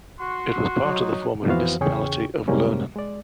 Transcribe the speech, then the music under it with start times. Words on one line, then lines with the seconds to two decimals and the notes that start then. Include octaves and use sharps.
It was part of the former municipality of Loenen.
0.20 F#4 C6
0.82 F#3 D#4
1.49 F2 E3 B3 F#4 C5 F5
1.81 E2 C#3 C#4 G#4 G5 C#6
2.48 F#2 C3 G3 G#3 A#3 C#4
2.95 G#3 D5